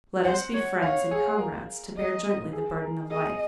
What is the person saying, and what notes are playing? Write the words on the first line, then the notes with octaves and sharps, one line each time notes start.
Let us be friends and comrades to bear jointly the burden of life.
C5 F#5
C#5
C#5 F5
G#4
A#4
D#5
G#4
A#4
G#4 D#5